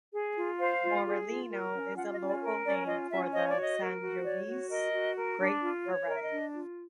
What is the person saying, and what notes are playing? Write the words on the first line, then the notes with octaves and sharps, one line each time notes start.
Morellino is the local name for the Sangiovese grape variety.
G#4
F4
C5 F5
F4
G#4
F4
A#4
C#4
F4 F#5
D#5
C#4
D5
A#4
C#4 D5
F4 D#5
C#4 E5
C#5 D#5
D5
F#4 D#5
A#4
F#4
C#5 D5
F#4
A#4 D#5
F#4
A#4
D4
F4
C#5
A#4 D#5
E5
D#5
D4
F4